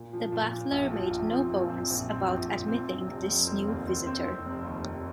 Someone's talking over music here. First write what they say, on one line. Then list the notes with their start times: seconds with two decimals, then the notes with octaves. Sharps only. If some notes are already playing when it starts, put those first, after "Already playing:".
The butler made no bones about admitting this new visitor.
Already playing: A#2
0.13 F3
0.32 A#2
0.52 A#2
0.72 A#1
0.91 F3
1.11 A#1
1.30 C4
1.51 A#2
1.70 C4
1.90 A#1
2.10 C4
2.29 A#1
2.49 A#2
2.68 C4
2.89 C4
3.08 F1
3.27 F1
3.47 C4
3.67 D#2
3.87 C4
4.07 C4
4.26 C4
4.45 F1
4.65 D#2
4.85 F1